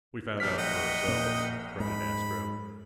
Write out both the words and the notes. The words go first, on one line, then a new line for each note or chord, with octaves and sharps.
"We found out for ourselves," grunted Astro.
A#1 G3 F6 B6
D#5 F#5 G5
A#2
G#2 B5